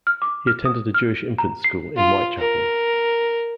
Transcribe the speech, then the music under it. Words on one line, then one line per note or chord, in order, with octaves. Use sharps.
He attended a Jewish Infants School in Whitechapel.
F6
D6
F6
D#6
F6
A#5
C7
F4
A#4